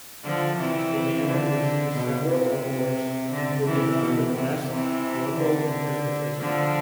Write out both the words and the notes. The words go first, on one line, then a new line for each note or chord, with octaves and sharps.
Ivana received several awards including one for the best vocal interpretation.
D3 F3
C3 E3
D3
B2
C3
D3
C3 E3
B2
C3
C3 E3
D3
D3 F3